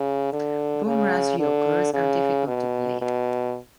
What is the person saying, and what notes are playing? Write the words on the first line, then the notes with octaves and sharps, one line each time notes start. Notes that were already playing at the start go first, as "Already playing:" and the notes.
Bumrah's yokers are difficult to play.
Already playing: C#3
D3
C#3
D3
C#3
B2
B2